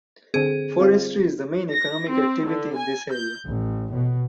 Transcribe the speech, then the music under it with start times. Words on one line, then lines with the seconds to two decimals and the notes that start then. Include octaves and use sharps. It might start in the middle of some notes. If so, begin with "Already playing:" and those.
Forestry is the main economic activity in this area.
0.34 D3 C4 G#4
0.80 G3 C4 F4
1.70 A#6
2.09 C4
2.44 D3
2.75 G#5
3.10 G6
3.46 A1
3.94 B2